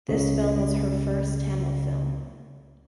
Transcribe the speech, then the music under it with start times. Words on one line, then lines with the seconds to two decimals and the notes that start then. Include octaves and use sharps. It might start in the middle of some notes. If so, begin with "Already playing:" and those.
This film was her first Tamil film.
0.09 C#2 C#3